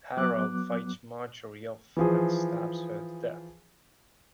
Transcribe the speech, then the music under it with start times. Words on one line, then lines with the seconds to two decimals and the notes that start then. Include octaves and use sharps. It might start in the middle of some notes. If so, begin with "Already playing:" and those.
Harold fights Marjorie off and stabs her to death.
0.17 F#3 B3 D6 F#6
1.97 E3 F3 G#4